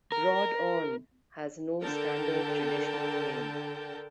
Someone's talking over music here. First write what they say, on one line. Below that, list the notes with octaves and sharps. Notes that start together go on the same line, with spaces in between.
Broad On has no standard traditional name.
A#4
D3 A#4 G5 A5